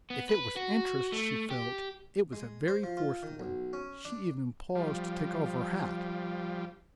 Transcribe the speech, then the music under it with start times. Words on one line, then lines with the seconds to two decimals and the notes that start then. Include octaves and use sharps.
If it was interest she felt it was a very forced one. She even paused to take off her hat.
0.10 B3
0.29 B4
0.56 F#4
1.12 A3
1.51 G4
2.33 G#3
2.68 C5
2.84 F3
2.97 F4
3.23 D#3
3.40 B1
3.73 C#4
4.05 D4
4.75 F3 G3